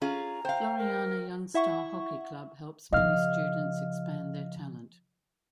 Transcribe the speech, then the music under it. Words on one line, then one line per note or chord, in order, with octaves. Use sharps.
Floriana Youngstar Hockey Club helps many students expand their talent.
C#4 F4 G#4 A#5
C5 F5 G5
A#4
E4 E5 F#5 C#6
C#3 F3 D#5 F5 F6